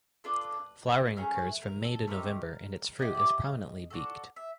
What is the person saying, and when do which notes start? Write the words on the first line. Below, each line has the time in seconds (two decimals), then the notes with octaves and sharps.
Flowering occurs from May to November and the fruit is prominently beaked.
0.24 D4 F4 A4 B4
1.16 A3 C#4 G#4 A#4
1.39 B4
1.62 A#4
1.85 A4
2.07 A3 C4 D#4 G4 A#4
2.99 B3 E4 G4 D#5
3.15 D5
3.30 D#5
3.90 D4 F#4 A4
4.36 E5